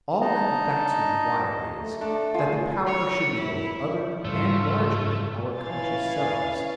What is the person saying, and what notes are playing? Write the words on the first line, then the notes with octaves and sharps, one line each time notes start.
All that the facts require is that the power should be both other and larger than our conscious selves.
D4 D#4 D#5 A5 A#5
A3
A3 D4
F4 G#4
C#5
E4
G#2 C#3 E3 G3 A3 E4 F4
C#4 E4 B4 F5 G#5 A6